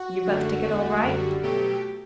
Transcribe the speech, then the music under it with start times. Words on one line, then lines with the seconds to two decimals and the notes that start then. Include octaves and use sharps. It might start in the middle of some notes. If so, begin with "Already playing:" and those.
"You've got the ticket all right?"
Already playing: F#4
0.24 F#2 D3 A3
0.64 E2 D3 A3
1.03 F#2 D3 G3
1.42 B2 F#3 A3 G4